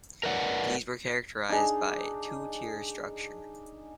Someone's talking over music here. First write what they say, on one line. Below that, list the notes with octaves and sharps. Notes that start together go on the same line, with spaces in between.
These were characterized by a two-tier structure.
A#4 B4 C#5 D5 F#5
D4 D#4 G#4